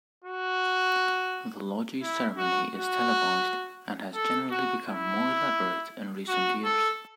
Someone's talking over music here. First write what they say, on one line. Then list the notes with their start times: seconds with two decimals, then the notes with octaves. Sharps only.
The Logies ceremony is televised, and has generally become more elaborate in recent years.
0.24 F#4
2.02 E4
2.37 F#4
2.73 F#4
4.14 A4
4.50 F#4
4.86 E4
6.28 F#4
6.64 A4